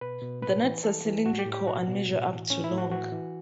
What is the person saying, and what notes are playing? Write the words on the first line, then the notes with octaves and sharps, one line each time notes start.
The nuts are cylindrical and measure up to long.
B2 B4
B2
A2 B4
E3
E3 A4
E3
A2 F#4
G4
A2
G4
B2 F#4
B2
A2
E3
A2 C#4
E4
A2
F#4
E3 F#4
E3